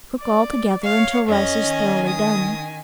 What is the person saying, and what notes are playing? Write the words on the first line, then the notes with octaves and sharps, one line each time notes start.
Cook all together until rice is thoroughly done.
D5
C#5 F5
F2 C#4 D#5
D#3 G#5
D#6